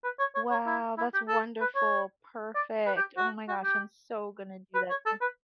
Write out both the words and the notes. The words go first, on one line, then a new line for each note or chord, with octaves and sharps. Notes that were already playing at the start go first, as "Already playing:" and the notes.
Wow, that's wonderful. Perfect. Oh my gosh, I'm so gonna do that. Thank you.
B4
C#5
C#5
C#5
E4
E4
G4
A4
B4
C#5
D5
B4
G4
F#4
F#4
G4
B4
C#5
A4
B4